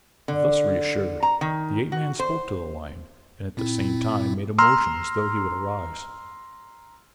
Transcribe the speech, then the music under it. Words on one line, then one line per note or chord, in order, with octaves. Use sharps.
Thus reassured, the ape-man spoke to the lion and at the same time made a motion as though he would arise.
D3
A#5
D#3
F#4
C5
A#2 C4 E4
A#5 C6 E6 F6